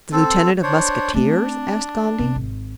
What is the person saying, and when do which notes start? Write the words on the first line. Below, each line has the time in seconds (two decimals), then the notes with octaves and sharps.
"The lieutenant of musketeers?" asked Gondy.
0.12 C4 A4
0.63 D4 C5 C#5
1.14 A3 C4 D4
2.19 C3
2.36 G#1